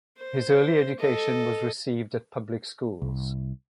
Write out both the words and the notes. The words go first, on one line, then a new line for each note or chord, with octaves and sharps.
His early education was received at public schools.
C5
A4 D#5
C2